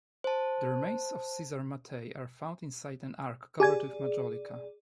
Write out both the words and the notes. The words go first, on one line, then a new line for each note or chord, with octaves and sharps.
The remains of Cesare Mattei are found inside an ark covered with majolica.
C5 A5
G4 G#4 D5 G#5 G#6